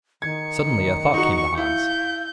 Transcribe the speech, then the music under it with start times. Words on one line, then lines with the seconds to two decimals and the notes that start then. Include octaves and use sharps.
Suddenly a thought came to Hans.
0.22 D#3 G#6 C#7
1.14 D#4 F#4 C#6
1.57 E4 F5 G6